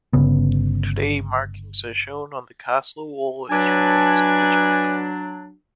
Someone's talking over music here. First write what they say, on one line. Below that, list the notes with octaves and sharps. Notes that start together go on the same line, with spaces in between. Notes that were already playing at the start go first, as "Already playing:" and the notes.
Today markings are shown on the castle wall as remains of the jump.
G1 C#3 B3
F#3 D4 B4 D5 G#5